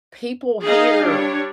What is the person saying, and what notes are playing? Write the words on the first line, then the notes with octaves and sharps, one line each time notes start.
people here,
D#4 G#4 D#5 F5
G3 D4 C#5